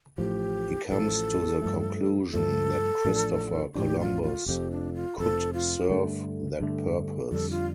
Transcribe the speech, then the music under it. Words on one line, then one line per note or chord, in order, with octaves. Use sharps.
He comes to the conclusion that Christopher Columbus could serve that purpose.
A1 A2 F3 G4
A1 A2 F3 A4
G2 F3 A3
G2 F3 A3 A4
A1 A2 F3 D4
A1 A2 F3 D4 G4
F4
F4
F1 F2 F3 G4
D4
F4
F1 F2 F3 A4
F4
G2 D3 A3
G2 D3 A3
F2 D3 G3 D4 A4
F4